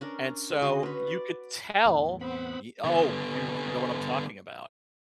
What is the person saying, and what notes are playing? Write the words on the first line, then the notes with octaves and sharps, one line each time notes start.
and so you could tell, y oh, you know what I'm talking about.
C#4 D4 A#4
G#3
D3 F#4 D#5 C6
C#4 B4
D5
E2 A2
B3 C4 F#5 B5
D3 B3